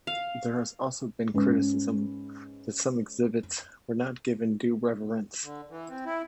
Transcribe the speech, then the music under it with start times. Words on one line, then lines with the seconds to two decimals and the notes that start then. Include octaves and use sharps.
There has also been criticism that some exhibits were not given due reverence.
0.07 F5
1.34 G#2 C#4 B4
5.44 D3
5.70 E3
5.89 C4
6.06 E4